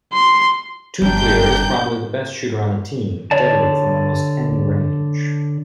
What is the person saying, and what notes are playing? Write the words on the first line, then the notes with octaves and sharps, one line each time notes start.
Tuncluer is probably the best shooter on the team, deadly from almost any range.
C6
G1 F3 G3 D4 G5 A#5 G6
D3 C#5 D5 A5